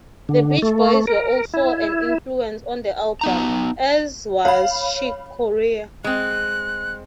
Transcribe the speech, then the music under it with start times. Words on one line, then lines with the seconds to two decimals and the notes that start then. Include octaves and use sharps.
The Beach Boys were also an influence on the album, as was Chick Corea.
0.29 D3
0.62 A3
1.07 A#4
1.54 E4
3.21 B3 D#4 A#5
4.45 C#5 F5 B5
6.04 G#3 C4 F#6